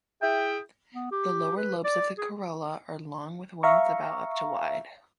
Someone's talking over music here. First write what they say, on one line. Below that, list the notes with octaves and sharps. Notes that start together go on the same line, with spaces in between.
The lower lobes of the corolla are long with wings about up to wide.
E4 G#4 E5 G5
B3
G4
B4
D5
G#4
E5 F5 A#5 C#6